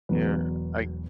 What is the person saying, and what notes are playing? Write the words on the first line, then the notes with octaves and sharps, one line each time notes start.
Yeah, I
E1 E2 B2 F#3 B4